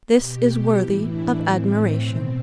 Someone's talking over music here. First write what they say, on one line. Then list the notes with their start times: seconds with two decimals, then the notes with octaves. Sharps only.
This is worthy of admiration.
0.16 B2 G4
0.78 A2 E3 E4
1.08 D4
1.39 A2 E3 C4
2.01 B2